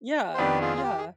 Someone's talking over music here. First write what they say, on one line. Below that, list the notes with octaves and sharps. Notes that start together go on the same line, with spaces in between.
Yeah. Yeah.
C5
F2 D#3 B3 D4 G4 B4
F4 G#4
F4
G4
G#4